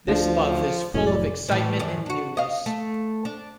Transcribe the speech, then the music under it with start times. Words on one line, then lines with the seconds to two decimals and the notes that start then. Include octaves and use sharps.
This love is full of excitement and newness.
0.08 D2 F3 D4
0.94 F1 A2 F#3 C#4
1.07 D5
1.48 A2 E3
1.79 F#2 D#3 D4
2.06 D4 F#4
2.37 D#5 F5
2.66 A3
3.25 D4